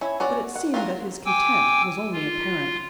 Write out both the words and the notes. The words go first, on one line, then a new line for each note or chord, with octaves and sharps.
But it seemed that his content was only apparent.
C#4 E4
C#4 F#4 D5
F#5
F4 F#4 G#4 A#4
G5 G#5 D6 E6
F4